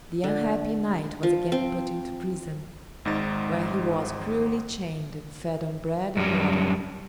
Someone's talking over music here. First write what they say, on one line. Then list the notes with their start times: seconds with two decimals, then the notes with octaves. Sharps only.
The unhappy knight was again put into prison, where he was cruelly chained and fed on bread and water.
0.24 D3
1.23 F3
1.52 C4
3.05 G#1 G#2 D#4 A6
6.17 F#2 G3